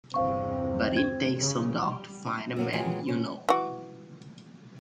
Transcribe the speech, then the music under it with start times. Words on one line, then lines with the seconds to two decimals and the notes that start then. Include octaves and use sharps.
But it takes a dog to find a man, you know.
0.14 G1 E2 C3 C4 C5 F5 C#6
0.97 G#6
1.39 C#3
1.81 G3
2.56 E3 F#3 A#3
2.73 A#2 E3 F#3 G#3 G4 G#4
3.08 C#4
3.49 E3 F#4